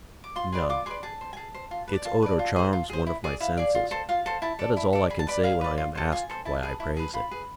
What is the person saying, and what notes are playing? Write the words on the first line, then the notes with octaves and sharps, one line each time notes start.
No; its odor charms one of my senses--that is all I can say when I am asked why I praise it.
D6
F4 C6
G#4 B4 D5
F4 D6
G#4 B4 D5 C6
G#4 A5
C5
G#5
G#4 A5
C5
F4
B4
D5
F4 A5
B4 D5
F4
G#4 C5
F4
G#4 C5
E4
G#4 D5
E4 F5
G#4 D5
F4
A4 C5
F4 F5
A4 C5
E4 A5
A4 D5
E4
A4 D5
G#4 B5
A5
B4 D5 B5
G#4 F5
B4 D5
F4
A4 C5
F4 G#5
A4 C5
E4 A5
G#4 B4
E4
G#4 B4
F4 B5
G#4 B4